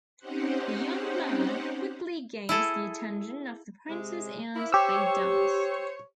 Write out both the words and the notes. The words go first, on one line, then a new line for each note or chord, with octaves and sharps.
The young man quickly gains the attention of the Princess and they dance.
C4 C#4 D#4 G4 C5 F#5
E4 G#4 A4
C3 G#3
A#3 E4
G4 C5 C#5 E6